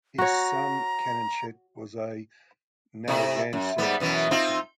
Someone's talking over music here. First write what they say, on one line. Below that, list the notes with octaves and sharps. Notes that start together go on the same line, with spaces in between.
His son Canonchet was a Narragansett sachem.
F#4 C#5 A#5
C3 A3 E4
F#2
G#2 G3 B3
F#2 B2 E3
C4 D#4 F4